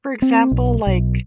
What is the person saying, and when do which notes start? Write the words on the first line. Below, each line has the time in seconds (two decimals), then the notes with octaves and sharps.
For example, like
0.22 C4
0.51 B1
0.87 B1